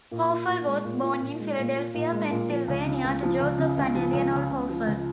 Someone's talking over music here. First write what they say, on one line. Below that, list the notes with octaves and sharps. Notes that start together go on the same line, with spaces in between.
Hoeffel was born in Philadelphia, Pennsylvania, to Joseph and Eleanore Hoeffel.
A#2
F4
A#2
G#3
A#2
F4
A#2
G#3
A#2
F4
A#2
G#3
A#2
F3
C#2
C#3
C#2
F3
C#2
C#3
C#2
F3
C#2
C#3
C#2
F3
C#2